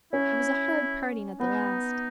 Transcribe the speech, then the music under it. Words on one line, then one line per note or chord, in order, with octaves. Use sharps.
It was a hard parting at the last.
C#4 E4
B3 D#4